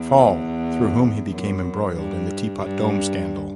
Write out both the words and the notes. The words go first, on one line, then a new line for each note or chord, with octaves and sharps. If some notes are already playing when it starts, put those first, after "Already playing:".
Fall, through whom he became embroiled in the Teapot Dome scandal.
Already playing: E2
F#2
G2
G2